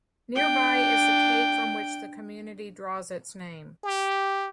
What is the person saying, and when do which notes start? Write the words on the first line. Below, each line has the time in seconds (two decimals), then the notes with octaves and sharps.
Nearby is the Cape from which the community draws its name.
0.36 D4 G5
3.84 G4